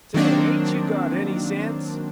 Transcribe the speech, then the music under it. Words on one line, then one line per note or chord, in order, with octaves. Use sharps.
"Say, ain't you got ANY sense?"
D#3 F#3 A#3 C4 D4